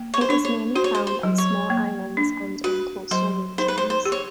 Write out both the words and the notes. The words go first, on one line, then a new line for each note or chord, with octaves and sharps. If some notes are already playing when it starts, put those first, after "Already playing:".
It is mainly found on small islands and in coastal regions.
Already playing: A#3
C#5
C5
D4 C#5
C#5
F#4 C5
C#5
C5
C5
F#3
C#5
A#3
D4
F#4 B4
F#3 C5
D#4 C5
B4
C5
C5
G4
C#5